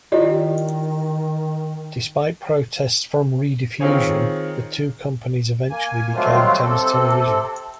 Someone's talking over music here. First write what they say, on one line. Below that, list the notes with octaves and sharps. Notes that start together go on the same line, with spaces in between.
Despite protests from Rediffusion, the two companies eventually became Thames Television.
D#3 E4 F4 G4 D5 D#5
D#3 C4 F4 G#4 C#5
A#3 G#5
D#3 F#3 G3 A3 C4 F4
C3 C4 A4